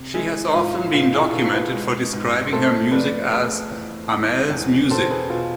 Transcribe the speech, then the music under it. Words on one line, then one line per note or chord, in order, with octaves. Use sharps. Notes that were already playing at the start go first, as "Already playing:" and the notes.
She has often been documented for describing her music as "Amel's music".
Already playing: C3
G#3 E4 G#4
G#2 F4
B2 F4
E4 G#4
B2 F4 A4
G#4 B4
G#3
G#2
A3 A4 C5
F2 B4 D5
A3 G#4 B4
E2
G#3
E2
B2 A4 C5
G#4 B4
B2 F4 A4